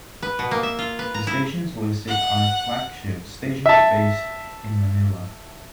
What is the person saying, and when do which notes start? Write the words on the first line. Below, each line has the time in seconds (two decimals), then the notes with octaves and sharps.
The stations listed are flagship stations based in Manila.
0.23 B4
0.39 B2
0.51 A#3
0.63 E5
0.79 F4
0.99 B4
1.14 A#5
1.27 E4
2.07 F#5
3.66 E5 A5